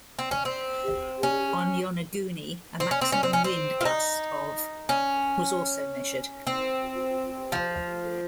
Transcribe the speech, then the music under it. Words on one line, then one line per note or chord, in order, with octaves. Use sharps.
On Yonaguni, a maximum wind gust of was also measured.
C4
C#4
C4
C#4
C4
C#4
C4
C#4
C4
C#4
C4
F4
D#4
C#4
C4
F3